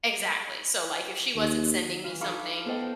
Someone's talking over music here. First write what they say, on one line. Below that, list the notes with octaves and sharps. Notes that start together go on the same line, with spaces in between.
Exactly. So, like, if she wasn't sending me something,
D#2
E3 F4
D#4 A4 F5 B5 C#6 D6
B3 A4 C5 D#5 G5